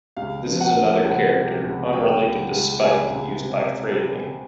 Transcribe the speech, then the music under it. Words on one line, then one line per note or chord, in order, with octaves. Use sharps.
This is another character, unrelated to Spike used by Freleng.
C#2 F5
F3
F#5
F3
C#2 F#5
C3
C#2
C#2 G5
C#2
C#2
C#2 G#5
C#2
C3